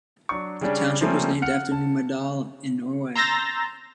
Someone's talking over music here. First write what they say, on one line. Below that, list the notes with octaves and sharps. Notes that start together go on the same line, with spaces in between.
The township was named after Numedal, in Norway.
F#3 D4 C#6
C#3 G3 C#4 D4
F3 G3 A3 A#3 C4 C#4
F#5 F6 C#7
A5
A#5 C6 E6 G6 A6 A#6